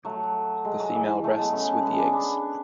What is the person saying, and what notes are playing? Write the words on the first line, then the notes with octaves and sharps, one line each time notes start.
The female rests with the eggs.
F#3 A3
G#3
F#3
E3
F#3 A3
G#3 B3
A3 C#4
C#4
G#3 B3
B3 D4
B3 D4